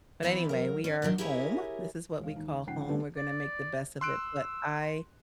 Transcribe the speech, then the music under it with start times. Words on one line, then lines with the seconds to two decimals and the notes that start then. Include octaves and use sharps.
But anyway, we are home. This is what we call home, we're gonna make the best of it, but I
0.23 E3 B3 C4 E4 C5 D5
0.49 F#3 A#4
0.84 C#4 D5
1.02 A#2 D#3 F#3 D4
1.18 E4 G4 G#4 A#4 C#5 E5
2.19 E1 F5
2.36 D#2
2.67 G#1 C#3 F3 F#5 G5 C7
2.89 D3 G3 A3 B3 C#4
3.17 D5
4.01 C6 E6 F#6 D7